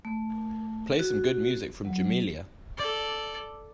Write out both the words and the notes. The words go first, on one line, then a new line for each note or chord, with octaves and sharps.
Play some good music from Jamelia.
A3
F#4
F#3
A4 D5